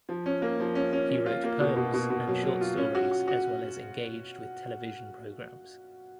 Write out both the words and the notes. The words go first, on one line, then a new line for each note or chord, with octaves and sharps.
He wrote poems and short stories as well as engaged with television programs.
F3
C#4
A#3
F3
C#4
C#4
C#4
F4
A#3
B2
B2
B2
B2
F#3
F#3
F4
C#4
F#4
F#4
F#4